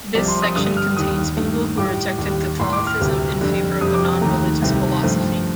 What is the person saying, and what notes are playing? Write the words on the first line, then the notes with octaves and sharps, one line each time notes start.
This section contains people who rejected Catholicism in favor of a non-religious philosophy.
C2 C3 F3 D5
C6
D#6
G2 D3 G3 D#6
F6
D#2 D#3 G3 D#6
G2 D#3 A3
A2 G3 D6
D#2 D#3 G3
A2 A3 C6
D6
F6
D2 C3 G3
F2 D3 G3
F2 C3 G3 D#6
D6
D#2 D#3 A3 A#5
C2 C3 D#3
G2 F3 A3